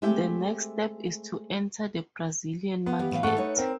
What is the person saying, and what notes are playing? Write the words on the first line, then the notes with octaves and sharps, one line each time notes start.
The next step is to enter the Brazilian market.
G#3 A3 C4 G4 E5 G5
B3
E3 G4 F5
A2 E3 F5
G#2 A3 A4 F#5 C#6
D#4 B4 C#5
C4 A#4